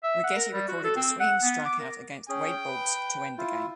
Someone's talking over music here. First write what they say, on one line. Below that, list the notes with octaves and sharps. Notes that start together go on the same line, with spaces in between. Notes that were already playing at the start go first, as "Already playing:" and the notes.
Righetti recorded a swinging strikeout against Wade Boggs to end the game.
E5
F#5
A#4
G3
F#4
A4
C4
F#5
B3
D6
A#4
C#4 G#4 G5
B4
E4 F4